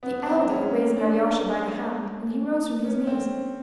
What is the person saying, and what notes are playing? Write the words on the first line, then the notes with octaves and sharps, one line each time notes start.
The elder raised Alyosha by the hand and he rose from his knees.
B3
C4
C#4
D4
C#4
C4